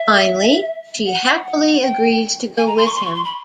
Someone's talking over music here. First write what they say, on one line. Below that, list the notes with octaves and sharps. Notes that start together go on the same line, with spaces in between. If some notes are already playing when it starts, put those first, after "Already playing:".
Finally, she happily agrees to go with him.
Already playing: E5
F#5
F#5
G5
G#5
A#5
C6
C#6
C6
C#6
C6
B5